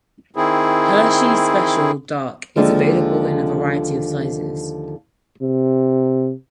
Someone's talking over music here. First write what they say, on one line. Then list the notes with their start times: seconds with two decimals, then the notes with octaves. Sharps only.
Hershey's Special Dark is available in a variety of sizes.
0.36 D#3 C4 E4 G#4
2.56 D#2 D3 F3 G#3
5.42 C3